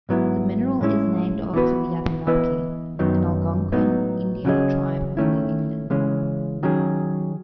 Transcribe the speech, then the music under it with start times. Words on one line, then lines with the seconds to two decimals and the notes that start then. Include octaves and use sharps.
The mineral is named after the Abenaki, an Algonquian Indian tribe of New England.
0.09 G#2 F#3 B3 E4
0.81 A2 G#3 C#4 E4
1.53 E3 B3 F#4 B4
2.27 E3 B3 E4 B4 D#5
2.99 F#2 D#3 F#3 B3 D#4
3.72 A2 F#3 B3 D#4
4.45 C#3 F#3 C#4 G#4 D#5
5.17 D#3 A3 C#4 E4
5.90 C#3 E3 G#3 C#4
6.63 D#3 F#3 C#4 G#4